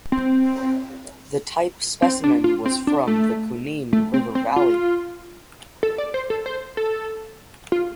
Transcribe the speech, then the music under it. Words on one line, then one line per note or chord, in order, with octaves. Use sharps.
The type specimen was from the Kunene River valley.
C4
C4
D4
F4
C4
D4
A3
A3
C4
C4
F4
A4
D5
C5
A4
C5
A4
F4